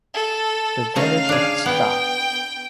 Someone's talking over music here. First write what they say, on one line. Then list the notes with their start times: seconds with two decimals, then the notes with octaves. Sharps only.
The village of Sta.
0.14 A4
0.96 C#3 A3 D#4 F5
1.29 D4 G#4
1.66 B3 G5